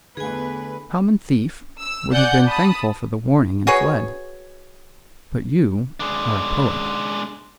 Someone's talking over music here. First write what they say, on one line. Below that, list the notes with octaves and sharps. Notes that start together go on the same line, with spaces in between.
A common thief would have been thankful for the warning and fled; but you are a poet.
E2 D3 A3 G#4 B4 G#5
E6
D5 F#5 G#5 G6
A5 B5 D#6
F#4 G#4 B4 C#5
G#3 D4